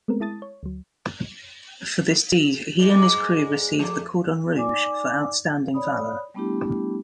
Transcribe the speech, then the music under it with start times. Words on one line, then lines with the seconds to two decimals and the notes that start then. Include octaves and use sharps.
For this deed he and his crew received the 'Cordon Rouge' for outstanding valour.
0.08 G#3 A3 B3 C4 A#4
0.20 G#3 E4 A5 D#6 A6
0.42 C#5
0.63 D2 F#3
2.79 G#2 G#3 D5
3.79 F3 A3
4.55 D#4 D5 G#5 D6
5.74 C#5 D5 B5 D#6
6.34 G3 A3 B3 D4 E4 G4